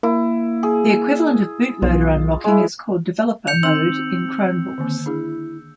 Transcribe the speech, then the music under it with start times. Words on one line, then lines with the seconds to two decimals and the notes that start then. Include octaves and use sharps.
The equivalent of bootloader unlocking is called developer mode in Chromebooks.
0.03 A#3 E4
0.63 G#4
1.82 B1 F4
2.44 G#3 E4
3.47 G6 C#7 F7
3.63 D#3 C4 D#4 C6 E6 F#7
4.78 D3 D#3 A#3
5.06 D4 E4 G#4